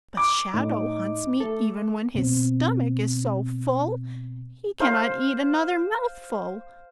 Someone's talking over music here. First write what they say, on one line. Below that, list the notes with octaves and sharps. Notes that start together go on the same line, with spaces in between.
But Shadow hunts me even when his stomach is so full he cannot eat another mouthful.
D6
A2 D#4
A3 A4
B2 C4
C5 F5 C6